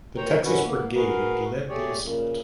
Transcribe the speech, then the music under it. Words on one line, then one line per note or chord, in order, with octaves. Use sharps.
The Texas Brigade led the assault.
G2 A#2 C5 C#5 G5 A#5
A2 D3 D#3 C#4 F#4 B4
A#3 B3
F#4 G#4 A#4 B4 F5
A3 G4 G#4 C#5 D5
A#2 C#3